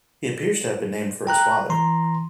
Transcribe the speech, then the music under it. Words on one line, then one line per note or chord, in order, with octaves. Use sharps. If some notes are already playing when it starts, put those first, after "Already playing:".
He appears to have been named for his father.
G5 A#5 F#6
E3 A#5 C6